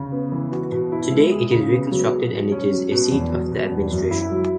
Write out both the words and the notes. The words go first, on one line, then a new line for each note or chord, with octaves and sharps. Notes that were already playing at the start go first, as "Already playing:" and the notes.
Today, it is reconstructed and it is a seat of the administration.
Already playing: C#3
B3
E3
F#4
B2
E4
G#3
G#4
C#3
B3
F#3
G#4
B2
C#4
F#3
B2
E2
F#3
B2
E2
F#2
E4
F#3